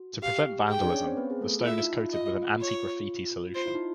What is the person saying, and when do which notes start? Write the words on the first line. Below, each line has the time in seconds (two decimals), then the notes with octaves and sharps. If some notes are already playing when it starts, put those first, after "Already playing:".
To prevent vandalism, the stone is coated with an anti-graffiti solution.
Already playing: F#4
0.22 G4 F5
0.70 G#4 G5
0.81 D4 D5
0.93 C#4 C#5
1.06 C4 C5
1.17 B3 B4
1.30 G#4
1.41 A3 A4
1.60 F4
1.65 E4 E5
1.81 D#4
1.97 F4
2.13 F4 D#5
2.61 C#5
3.56 F4 C5
3.66 E4
3.75 D#4